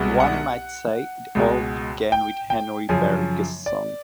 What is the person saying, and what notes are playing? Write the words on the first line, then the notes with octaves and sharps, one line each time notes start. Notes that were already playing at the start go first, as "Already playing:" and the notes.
One might say it all began with Henri Bergson.
Already playing: C2 B2 G#3 B3
F#5
C#2 B2 G#3
G5
G5
F#2 C#3 F3 G#5
D5